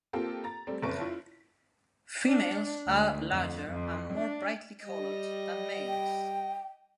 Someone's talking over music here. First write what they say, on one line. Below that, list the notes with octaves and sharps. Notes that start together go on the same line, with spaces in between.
Females are larger and more brightly coloured than males.
A#3 C4 F4 G4 A4
A#5 A6
G3 A3 C4
F#1 F2 B4 A5 C#6 D7
E4 F4
D4
D2
F2
F2
D4
G3 D#5
G5